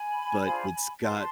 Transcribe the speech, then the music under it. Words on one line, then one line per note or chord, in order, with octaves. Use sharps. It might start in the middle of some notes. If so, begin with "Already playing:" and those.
but it's got
Already playing: G#5 B5
D4 F4 G#4 C5
F4 B4 A5 C6